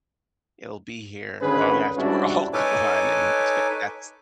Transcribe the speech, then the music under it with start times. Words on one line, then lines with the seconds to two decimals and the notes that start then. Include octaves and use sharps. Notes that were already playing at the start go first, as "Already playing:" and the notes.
It'll be here long after we're all gone, and t that's
1.41 G#1 D3 C#4 G#4 B4
1.96 G#2 G3 C#4 D4 E4 F#4
2.53 D#4 A4 B4 C#5 G#5 D6